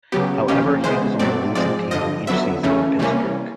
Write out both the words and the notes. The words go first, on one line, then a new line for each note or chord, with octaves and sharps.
However, he was on a losing team each season in Pittsburgh.
C#3 F#3 B3 G4
D#2 C#3 F3 A#3 C#4 G4
C#3 E3 G#3 B3 C5
B2 F#3 A3 C4 D5
G#2 F3 G#3 C4 D5
G2 D3 F3 D#5
F2 D3 F#3 B3 E5
D#2 C#3 E3 A3 C#4
C3 E3 G3 A#3 C#4